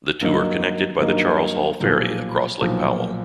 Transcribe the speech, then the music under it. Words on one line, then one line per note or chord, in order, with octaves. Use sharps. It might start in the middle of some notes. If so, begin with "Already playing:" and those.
The two are connected by the Charles Hall Ferry across Lake Powell.
G2 D#3 F#3 A#3 D#4
G2 D#3 F#3 A#3 D#4
B1 A#2 F3
B1 A#2 F3